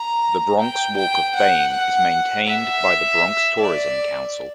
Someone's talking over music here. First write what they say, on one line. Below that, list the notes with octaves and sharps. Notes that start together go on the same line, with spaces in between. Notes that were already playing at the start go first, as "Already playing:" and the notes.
The Bronx Walk of Fame is maintained by the Bronx Tourism Council.
Already playing: A#5
G5
G5
F#5
F#5
E5
D5